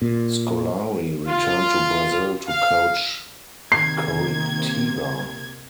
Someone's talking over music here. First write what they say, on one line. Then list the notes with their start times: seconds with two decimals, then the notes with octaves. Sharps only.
Scolari returned to Brazil to coach Coritiba.
0.02 A#2
1.28 F4
2.48 F5
3.72 C3 D#3 A#3 G#6 C7